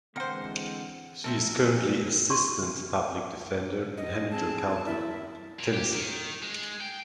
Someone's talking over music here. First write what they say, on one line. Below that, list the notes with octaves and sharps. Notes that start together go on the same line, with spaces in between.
She is currently Assistant Public Defender in Hamilton County, Tennessee.
D3 E3 G#3 C4 A#4 C5 F#5
F2 C3 G#3 A3 A4 A#4
C6 C#6
D#5
C4 G#4 A5
E4 A#4 E5 A5
A#2
G4
D#3
G#3
G5